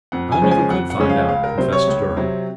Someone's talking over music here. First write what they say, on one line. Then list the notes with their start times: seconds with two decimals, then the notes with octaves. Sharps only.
"I never could find out," confessed Durham.
0.12 F2 F#5
0.32 G#5
0.42 C#3 F3 G#3 C#4
0.51 G#5
0.70 F2 F#5
0.90 F#5
1.00 C#3 F3 G#3 C#4
1.10 F5
1.29 C#2 F5
1.44 A#4
1.58 C3 F#3 C4 C5
1.72 C#5
1.87 C#2
2.17 C3 F#3 C4